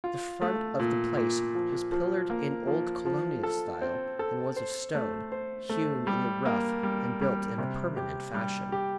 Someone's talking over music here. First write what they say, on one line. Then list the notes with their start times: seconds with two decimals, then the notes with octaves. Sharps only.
The front of the place was pillared in old Colonial style, and was of stone, hewn in the rough and built in a permanent fashion.
0.04 F4
0.42 A3
0.80 A#2
1.17 A#2
1.55 F3
1.92 F3
2.30 A#3
2.67 F3
3.06 F3
3.43 A4
3.82 C4
4.19 A4
4.56 C5
4.95 A3
5.32 C5
5.69 A3
6.07 G3
6.45 A#3
6.83 G3
7.21 G3
7.58 C3
7.97 G4
8.34 G3
8.72 G4